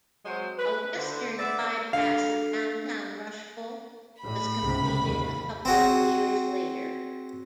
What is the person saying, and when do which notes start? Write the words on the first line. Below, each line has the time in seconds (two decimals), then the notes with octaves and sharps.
A western by-pass of downtown Rushville was completed a couple of years later.
0.25 F#3 G#3 C4 C5
0.57 B4
0.95 D3 C5
1.38 B3 D5 E5
1.93 D4 A4 F5
4.22 A2 B5
4.62 C#2 G#2 C3
5.01 D#2
5.65 C4 F#4 G#4